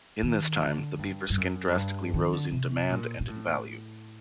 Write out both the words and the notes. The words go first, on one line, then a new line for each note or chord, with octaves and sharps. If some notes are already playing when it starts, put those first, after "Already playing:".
In this time, the beaver skin drastically rose in demand and in value.
D#3
D3
G2
G2
F#2
G2
D#3
D3
C3
A#2
A#2
A2